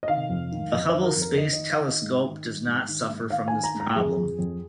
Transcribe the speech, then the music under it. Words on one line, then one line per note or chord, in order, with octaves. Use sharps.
The Hubble Space Telescope does not suffer from this problem.
D#5
D#3 F5
F2
D#3
F2 D#5
C5
D#3
A#4
F2
A#4
D#3 D#5
D#5
D#3
F5
D#3
D#5
G#2
D#3
D#3
G#2
D#3
G#2
D#3 F5
D#3 G#5
A#5
G#2
A#5
F2 G#4
F2
F2